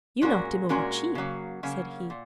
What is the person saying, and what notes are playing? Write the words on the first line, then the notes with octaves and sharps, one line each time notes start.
"You knocked him over cheap," said he.
A#2 G#3 C#4 F#4 A#4
A#2 G#3 C#4 F#4 A#4
C#3 F#3 A#3
C#3 F#3 A#3
A#2